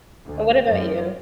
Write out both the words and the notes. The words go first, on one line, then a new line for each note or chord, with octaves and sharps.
And what about you?
D2
F#2